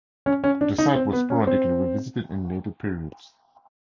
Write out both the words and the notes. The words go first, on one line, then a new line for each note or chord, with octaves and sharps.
The site was sporadically revisited in later periods.
C#4
C#4
D4
D#4
C4
B3
C#4
C4